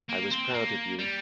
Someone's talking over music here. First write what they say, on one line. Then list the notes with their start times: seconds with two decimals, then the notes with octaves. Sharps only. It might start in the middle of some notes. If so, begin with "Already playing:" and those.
I was proud of you.
0.09 A#3
0.32 C4
0.54 A#3
0.99 G3